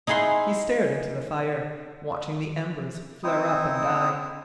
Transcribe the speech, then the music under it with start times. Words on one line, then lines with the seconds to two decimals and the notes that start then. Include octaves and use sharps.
He stared into the fire, watching the embers flare up and die.
0.07 D#4 E4 G#4 F#5 C6
3.24 C4 D#4 E4 D#6